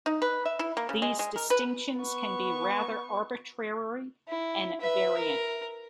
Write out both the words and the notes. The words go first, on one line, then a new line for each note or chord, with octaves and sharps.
These distinctions can be rather arbitrary and variant.
D#4
B4
E5
E4
A#3
C#3
G#3
G#3
A#4
B4
B3 C#6
E4
B4 E5
A#4